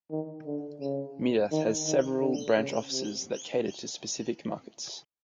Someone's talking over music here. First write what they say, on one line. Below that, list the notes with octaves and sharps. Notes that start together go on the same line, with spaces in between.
Midas has several branch offices that cater to specific markets.
D#3
D3
C#3
D#3
D#3
D3
C#3
C3